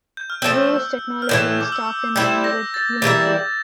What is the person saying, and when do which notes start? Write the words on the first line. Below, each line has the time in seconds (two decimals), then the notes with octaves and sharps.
Guru's technology and staff remained with Unicru.
0.17 G6
0.30 F6
0.42 F3 A3 C4 E6
1.22 F6
1.29 A2 E3 A3 G6
1.61 D6
1.72 E6
2.16 G3 C4 E4 G6
2.44 A#6
2.74 A6
3.02 E3 G3 A#3 E4 G6